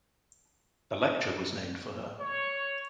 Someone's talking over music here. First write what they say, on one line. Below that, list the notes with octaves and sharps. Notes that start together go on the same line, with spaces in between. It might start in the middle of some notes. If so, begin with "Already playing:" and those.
A lecture was named for her.
C#5